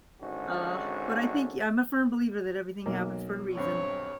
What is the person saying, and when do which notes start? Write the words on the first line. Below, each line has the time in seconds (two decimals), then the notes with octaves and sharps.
Aw, but I think y I'm a firm believer that everything happens for a reason.
0.21 G#1 G#2 D3 C#4 F#4
2.86 B1 A#3
3.55 D#1 G2 C4 C#5